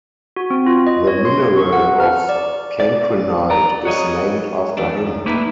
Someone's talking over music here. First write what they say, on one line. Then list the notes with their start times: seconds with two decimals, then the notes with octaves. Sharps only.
The mineral of cancrinite is named after him.
0.36 F#4
0.50 C4
0.66 F4
0.87 D#5
1.07 C#5
1.25 C6
1.57 C#6
1.73 F#5
2.00 F6
2.29 D5
2.80 D5
3.50 D5 A#5
3.85 F#4 G#4 C#5 D#5
4.77 E2 A3 D4
5.03 F#2
5.26 A3 A#3 D#4 E4 B4 E5